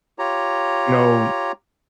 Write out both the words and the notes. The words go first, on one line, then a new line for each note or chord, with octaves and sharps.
you know
F4 G4 C#5 A#5